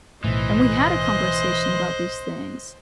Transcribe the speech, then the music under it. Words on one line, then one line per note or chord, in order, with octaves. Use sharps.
And we had a conversation about these things,
B1 A2 E3 C5 D#5 C6 F#6